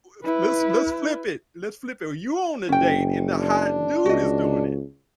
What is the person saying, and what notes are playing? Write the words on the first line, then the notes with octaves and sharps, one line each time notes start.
If Let's let's flip it, let's flip it, you on a date and the hot dude is doing it.
E4 B4
F#1 C#4 G5
D4
C#2 F#4 D#5